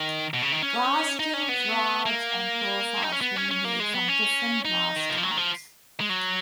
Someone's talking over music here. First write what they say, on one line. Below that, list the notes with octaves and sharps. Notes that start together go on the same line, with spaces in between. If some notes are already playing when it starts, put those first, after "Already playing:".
Glass tubes, rods and profiles can be made from different glass types.
Already playing: D#3
B2
C#3
D#3
C#4
D#4
C#4
B3
A#3
D#4
C#4
B3
C#4
C#4
A#3
G#3
B3
C#4
D#4
D#3
F3
F#3
D#3
F3
G#3
F#3